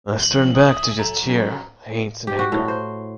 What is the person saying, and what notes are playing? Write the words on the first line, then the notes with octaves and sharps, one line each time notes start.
It's turned back to just sheer hate and anger.
G1 F3 C4 C#4 F#7 G7
C2 E5 G#5 D#6
F#3 A4 A#5
C#4 A4
G4
F#4
A2
C5